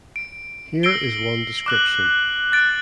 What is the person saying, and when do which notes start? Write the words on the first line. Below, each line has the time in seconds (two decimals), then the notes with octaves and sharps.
Here is one description.
0.16 D7
0.83 E6 A#6 C7 D7 G7
1.66 D6 F#6 F#7
2.52 F#6 A6 D7